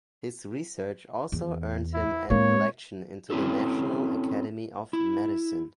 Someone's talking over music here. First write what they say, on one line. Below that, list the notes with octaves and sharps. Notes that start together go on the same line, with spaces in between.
His research also earned him an election into the National Academy of Medicine.
E2
E4
A2 G#3 A#3 C4 C#5
C4 C#4 E4 F#4 A4
E4